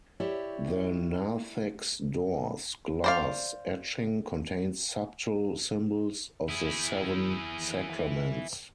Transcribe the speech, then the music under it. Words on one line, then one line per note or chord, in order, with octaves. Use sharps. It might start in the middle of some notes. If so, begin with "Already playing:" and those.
The Narthex doors' glass etching contains subtle symbols of the seven Sacraments.
E4 G4 C#5 D5 E5
C5 D5 F5
E4 G#4